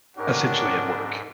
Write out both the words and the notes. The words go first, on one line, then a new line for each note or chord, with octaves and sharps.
essentially at work.
G#2 C#4 D4 G4 A#4 C#5 F#5